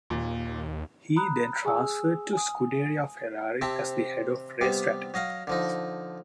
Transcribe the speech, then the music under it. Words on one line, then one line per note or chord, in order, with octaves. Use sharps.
He then transferred to Scuderia Ferrari as the Head of Race Strategy.
D#2 A#2
A#5 B5 D#6 F#6
G#4 G#5 D#6 E6
G#5 D#6
C3 C4 E5 G5 A5
C3 G3 B3
F#3 D#5 F5 F#5
D3 F3 D#4